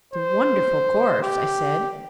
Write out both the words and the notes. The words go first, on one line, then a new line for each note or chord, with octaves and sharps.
"It's a wonderful course," I said.
C5
G4